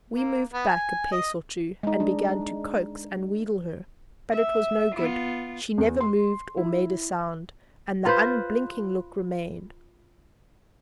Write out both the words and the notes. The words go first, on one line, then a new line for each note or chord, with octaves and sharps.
We moved back a pace or two and began to coax and wheedle her; but it was no good; she never moved or made a sound, and the unblinking look remained.
A#3
B3
G#5
D#5
G#3 D#4
D4
E5
B3 F4
E2
C6
E4
F4 B4 C5